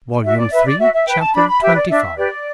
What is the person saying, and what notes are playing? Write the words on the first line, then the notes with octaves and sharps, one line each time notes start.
Volume Three, Chapter XXV.
F#4 E5
D5
B4 E5
D5
F#4 E5
E5
B4 G5
A5
D4 B5
B5
G4 B4 E5
D5
D4 E5
G4 B4 D5